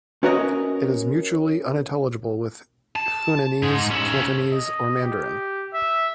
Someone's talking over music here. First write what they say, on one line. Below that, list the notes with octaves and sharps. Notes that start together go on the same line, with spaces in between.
It is mutually unintelligible with Hunanese, Cantonese, or Mandarin.
C#4 F#4 A#4 B4 C#5 D#5
A5
G#2 G#3
C#4 A4
D#5
G4
E5